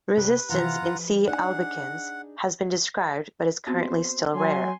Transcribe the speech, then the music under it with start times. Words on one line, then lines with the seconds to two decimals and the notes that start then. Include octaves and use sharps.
Resistance in "C. albicans" has been described, but is currently still rare.
0.17 C3 B4
0.49 C3 E3 F4 B4 F#5 A#5
0.81 F3 B4
1.27 D4 D#4 G#4 F#5
3.67 B3 C4 F#4 C5
4.35 F#3 G#5 C6